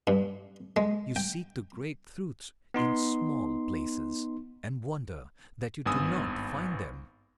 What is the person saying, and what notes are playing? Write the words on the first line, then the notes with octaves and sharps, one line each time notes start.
You seek the great truths in small places, and wonder that you do not find them.
G2
G#3
G5
B3 D#4 C6
G#1 G2 B3 G#5 D#6 E6